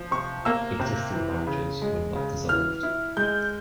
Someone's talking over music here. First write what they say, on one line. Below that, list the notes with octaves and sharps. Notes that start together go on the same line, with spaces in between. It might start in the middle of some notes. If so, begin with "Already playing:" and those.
Existing marriages were not dissolved.
Already playing: F3
C3 C#6
A#3 E6
C3
E3
C#3
G#3
C#3
E3 F6
E4
G#3 G6